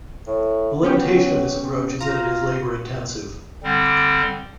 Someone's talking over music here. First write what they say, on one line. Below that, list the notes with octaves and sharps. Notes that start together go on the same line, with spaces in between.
The limitation of this approach is that it is labor-intensive.
A2
F#3 B3 C#4 G4
F4 A#5
D3 G3 C4